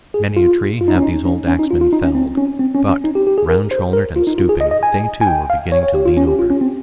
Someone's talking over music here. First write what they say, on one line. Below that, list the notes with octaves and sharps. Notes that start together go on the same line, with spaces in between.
Many a tree have these old axemen felled, but, round-shouldered and stooping, they too are beginning to lean over.
G#4
F4
F4
D#4
C#4
D#4
C#4
C#4
D#4
F4
F4
D#4
C#4
C4
C#4
C4
C#4
C#4
D#4
G4
G4
G#4
A#4
C5
A#4
F4
D#4
F4
G#4
D#5
D#5
G#5
G#5
G5
F5
C#5
C#5
G4
F4
C#4
G4
F4
C#4
C4